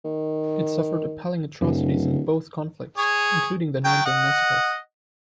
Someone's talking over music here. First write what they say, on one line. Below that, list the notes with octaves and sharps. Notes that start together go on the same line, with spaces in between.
It suffered appalling atrocities in both conflicts, including the Nanjing Massacre.
D#3
D1 F#2 C#3
G#4 C#5
F#3 G5
D#5 F#5